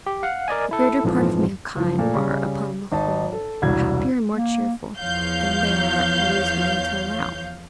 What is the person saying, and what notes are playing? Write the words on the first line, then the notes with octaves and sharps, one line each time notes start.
The greater part of mankind are, upon the whole, happier and more cheerful than they are always willing to allow.
G4
F5 F#5
A#4 D5 D#5 G#5
E4 A4
A#1 F2 G#2 E3 F3
F#1 F3
A#2 A3
C#3 G3 C#4
G#1 D#4 D#5 A5
A4
E1 C2 F#4 G#6
A#3
E2 F3 C#5 F5 G6